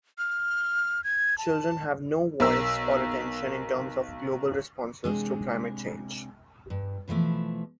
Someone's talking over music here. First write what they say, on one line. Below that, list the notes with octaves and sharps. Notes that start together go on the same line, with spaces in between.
Children have no voice or attention in terms of global responses to climate change.
F6
G#6
A5
B1 A#4 E6
C3 G#3 D4
G2
B2 E3 F3 A3